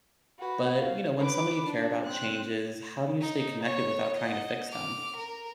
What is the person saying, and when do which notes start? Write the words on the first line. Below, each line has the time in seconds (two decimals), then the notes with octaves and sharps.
But, you know, when somebody you care about changes, how do you stay connected without trying to fix them?
0.38 F#4 B4
0.77 F5
1.18 B4 D6
1.67 D4
2.05 C4 F#6
3.20 D#4
3.63 C#5 C#6
4.17 D#5 F#5
4.69 D6 F6
5.17 A#4